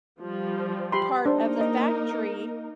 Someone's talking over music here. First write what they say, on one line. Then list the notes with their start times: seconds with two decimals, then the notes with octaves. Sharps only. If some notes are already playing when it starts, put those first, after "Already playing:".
part of the factory
0.20 F3 G3
0.92 G4 B5 C6
1.26 A#3 D4 D#4 A#4 C5
1.61 D#5